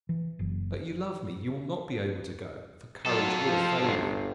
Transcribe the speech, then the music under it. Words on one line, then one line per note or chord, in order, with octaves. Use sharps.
But you love me, you will not be able to go, for courage will fail you.
E3
F#1
F#3 F4 A4
F3
G1